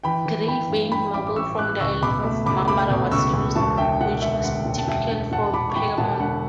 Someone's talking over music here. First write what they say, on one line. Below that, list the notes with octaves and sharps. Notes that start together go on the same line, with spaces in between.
Grey-veined marble from the island of Marmara was used, which was typical for Pergamon.
E3 G5 B5
E3
E3 G5 B5
G2
G2 G5 B5
A1 B5 D6
D6
A1 C#6 E6
A1 D6 F#6
C#2 C#6 E6
B2 B5 D6
A3
C#2 B5 D6
A3 B5 D6
B2
C#2 C#6 E6
C#2
E1 A5 C#6
D3 E5 G5
E1 F#5
D2 E5
D2 F#5
E1
A5
E1 E5 G5
D3
E1 F#5 A5
E1 B5 D6
C#6
E1 G5 B5
E1 F#5 A5
D3 F#5